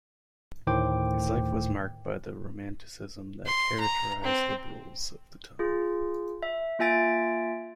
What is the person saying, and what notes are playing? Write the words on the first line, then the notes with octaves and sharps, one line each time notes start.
His life was marked by the romanticism that characterized liberals of the time.
D2 A2 D#3 C5 G5 D6
C6
A#5
C4
F4 G#4
E5
A#3 F4 E5 G#5 A6 D7